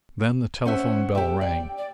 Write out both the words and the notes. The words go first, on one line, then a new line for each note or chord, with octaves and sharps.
Then the telephone bell rang.
C#4 C5 E5 F#5
G4 E5 G5
D5
D5